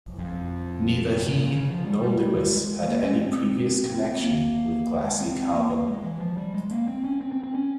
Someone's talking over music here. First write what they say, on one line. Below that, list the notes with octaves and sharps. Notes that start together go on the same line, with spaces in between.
Neither he nor Lewis had any previous connection with glassy carbon.
F2
G#2
A#2
C#3
F3
G3
G#3
A#3
C#4
C4
C4
C4
A#3
G#3
C4
C4
A#3
A#3
G#3
E3
F3
G3
G#3
A#3
C4
C#4
C4
C4
C4
C#4